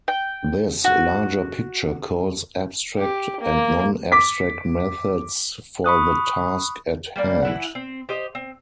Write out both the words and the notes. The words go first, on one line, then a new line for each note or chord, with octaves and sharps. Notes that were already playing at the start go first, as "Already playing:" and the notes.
This larger picture calls abstract and non-abstract methods for the task at hand.
G5
F#4
G4
A#3
D6 B6
B5 C#6 D#6 F#6
G3 A#3 D5
E3 E4 F#5
C4
G4 C5 D#5
C4